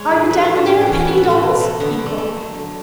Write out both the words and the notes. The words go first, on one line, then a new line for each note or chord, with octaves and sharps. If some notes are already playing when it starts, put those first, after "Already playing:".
"Are you down there, penny dolls?" he called.
Already playing: G#3 C#5
A2 B4
A3 B4
A4
A3
D4
A2 C#4
B3
E3
C#4
A2 B3
B3
A2
A3
B2
A3
D3 B3
B3
D3
A3
A3
F#3
D3